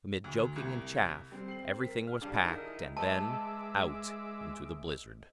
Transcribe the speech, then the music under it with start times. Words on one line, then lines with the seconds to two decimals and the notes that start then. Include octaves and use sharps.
Amid joking and chaff, everything was packed, and then -- out into the blizzard.
0.24 D2
0.56 C2
1.32 G3 C4
1.48 C7 F#7
1.80 A#4 B6
2.07 F6
2.22 C#3 G3 D4 F5
2.41 D#3 D#4 E4 G#4
2.97 G#3 B4 D#5 E5 A5 D6 E6